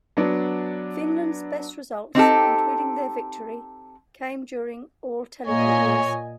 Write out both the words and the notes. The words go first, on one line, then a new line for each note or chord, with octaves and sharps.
Finland's best results, including their victory, came during all-televote years.
F#3 B3 D4
C4 D#4 G4 A4
A#2 A#3 C#5 D#5 G#5